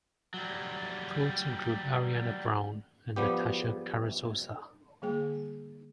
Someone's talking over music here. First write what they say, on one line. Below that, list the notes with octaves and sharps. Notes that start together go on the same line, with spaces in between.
Poets include Ariana Brown and Natasha Carrizosa.
F#3 G3
F3 G3 B3 G4
D3 G3 A#3 G#4 G5